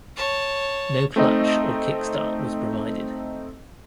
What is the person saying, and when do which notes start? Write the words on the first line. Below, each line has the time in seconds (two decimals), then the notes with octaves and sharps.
No clutch or kick-start was provided.
0.16 C#5 A5
1.16 A3 C4 D#4 D#5